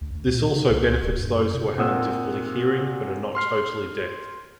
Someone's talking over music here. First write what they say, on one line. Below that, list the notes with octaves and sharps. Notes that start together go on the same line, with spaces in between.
This also benefits those who are having difficulty hearing, but are not totally deaf.
D2
D2
A#2
C#3
C2
C#2
D1
G2
F#2
C3
A#2 C4 F#5 D#6 E6
C6 F6 C7